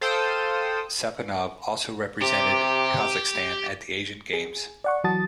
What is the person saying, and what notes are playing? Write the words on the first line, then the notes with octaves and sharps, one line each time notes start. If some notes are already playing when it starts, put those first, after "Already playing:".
Sapunov also represented Kazakhstan at the Asian Games.
A4 C5 F5 G5 D#6 E6
C3 G4
G#4
D5 F#5 C#6
E3 F#3 F#4 A5 D#6 A6